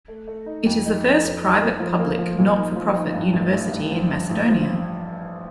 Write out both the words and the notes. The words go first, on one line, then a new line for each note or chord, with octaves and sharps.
It is the first private-public not for profit university in Macedonia.
A3
A3
D#4
F2
D#4
F2
F2
D#4
A#3
F3
A#3
F3
A#2
D#4
F3
D#4
G2
A1
A1
G2
F3
G2
A1
F3